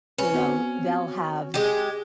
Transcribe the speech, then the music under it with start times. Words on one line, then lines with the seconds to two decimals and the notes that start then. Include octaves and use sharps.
you know, they'll have
0.18 C#4 B4 C#5
0.34 B3 C4 F#4
1.54 G#3 G4